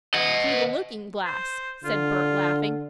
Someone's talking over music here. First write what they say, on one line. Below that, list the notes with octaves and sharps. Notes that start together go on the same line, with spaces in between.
"Through the looking glass!" said Bert, laughing.
D#5 F#5
C5
D3 F4